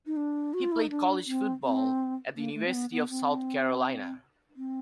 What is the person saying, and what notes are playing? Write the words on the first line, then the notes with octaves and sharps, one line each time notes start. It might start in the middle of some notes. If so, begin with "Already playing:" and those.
He played college football at the University of South Carolina.
D#4
D4
F#4
F4
E4
D#4
D4
C4
C4
A#3
A3
C4
B3
B3
C4
C4